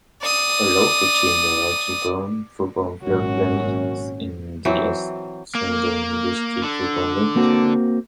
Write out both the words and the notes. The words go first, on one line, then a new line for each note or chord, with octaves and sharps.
A local team, the Craigieburn Football Club plays in the Essendon District Football League.
D5 D#6
G#1 F#2 A#2 C#4 F#4
E3 F#3 C4
A#3
D3
A#3 C4 F#4